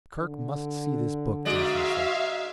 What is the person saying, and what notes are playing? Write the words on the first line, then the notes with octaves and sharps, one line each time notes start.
"Kerk must see this book," Jason said.
D3
G#2 G#3 F#4 D5 E5 F5